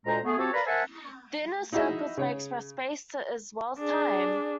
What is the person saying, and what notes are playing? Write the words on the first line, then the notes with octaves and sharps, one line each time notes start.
The inner circles may express space as well as time.
D2 A#2 G#3 C5 A#5
A3 B3 G#4
F3 C4 F#4 G4 A4 C#5
A#4 B4 D5 F5 A#5 B5
A#4 C5 E5 F#5 G#5 A5
D#4 E4 F#4 G#4 D#5 E5
C#3 G#4 C#5
D4 G#4